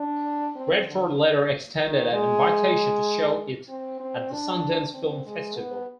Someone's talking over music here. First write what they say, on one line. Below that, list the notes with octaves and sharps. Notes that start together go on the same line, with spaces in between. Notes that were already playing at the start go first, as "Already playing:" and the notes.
Redford later extended an invitation to show it at the Sundance Film Festival.
Already playing: D4
C4
D3
D#3
G#3
C4
C4
D4
C4
G#3
B3